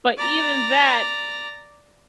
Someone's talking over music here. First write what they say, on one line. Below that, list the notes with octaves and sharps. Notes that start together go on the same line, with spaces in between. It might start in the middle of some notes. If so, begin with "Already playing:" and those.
But even that
D5 A#5